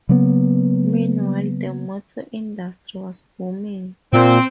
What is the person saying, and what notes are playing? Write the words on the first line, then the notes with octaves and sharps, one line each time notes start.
Meanwhile the motor industry was booming.
C#3 F#3 A#3 B3
A#2 C4